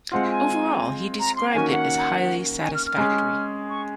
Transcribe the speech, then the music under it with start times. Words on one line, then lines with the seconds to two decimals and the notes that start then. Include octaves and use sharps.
Overall he described it as 'highly satisfactory'.
0.12 G#3 C4 F4 F#5
0.30 G#5
1.20 A#5
1.36 C6
1.50 F#5
1.54 D#3 A#3 C#4 F#4 G#5
1.72 F#5
2.62 G#5
2.74 F6
2.86 F6
2.97 G#3 C#4 G#4
3.69 C#6